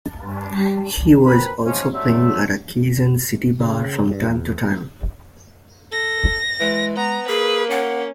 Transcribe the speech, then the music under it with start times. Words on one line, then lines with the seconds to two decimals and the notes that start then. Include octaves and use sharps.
He was also playing at a Quezon City bar from time to time.
0.19 G2
0.51 G3
1.25 C4 A#4 B4 B5
1.66 G#2 C#3 F3 C#4
1.93 F#3 G3 A3 C4 E5
3.60 C#3
4.11 G2
4.30 E2
5.92 A4 A#6
6.60 E3 G#3
6.97 B3 A#5
7.28 A#3 G#4 B4
7.71 C#4 F#5